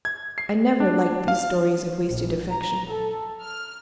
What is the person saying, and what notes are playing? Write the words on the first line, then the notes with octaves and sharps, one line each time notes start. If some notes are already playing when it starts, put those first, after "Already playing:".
I never liked these stories of wasted affection.
G#6
C7
D4
F5
A#1
A#5
A4
F6